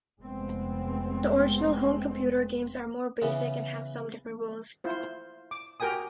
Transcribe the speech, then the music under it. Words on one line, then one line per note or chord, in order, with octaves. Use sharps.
The original home computer games are more basic and have some different rules.
F1 G#3 B3 C4
C#3 E3 B3
E4 F4 C5
D6
F#4 G4 A#4 G5 G#5 D#6